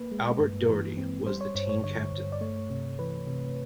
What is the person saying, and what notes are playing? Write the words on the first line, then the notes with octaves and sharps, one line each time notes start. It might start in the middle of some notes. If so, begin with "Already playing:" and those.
Albert Doherty was the team captain.
Already playing: A#3 B4
G#3
G2
E3
C4
G3 C5
C#5
G2 C#5
C#5
D3 C#5
G2
D5
A3 C#5
C3
E3 B4
C3